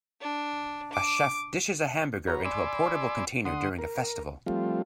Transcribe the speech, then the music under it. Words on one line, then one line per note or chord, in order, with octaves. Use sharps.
A chef dishes a hamburger into a portable container during a festival.
D4
D6
F#4 B4 C#5 A#5
D5 G#5 B5 C6 D6 E6
D3 F#5 C6 D#6
A#4
F3 G3 A3 C4 F4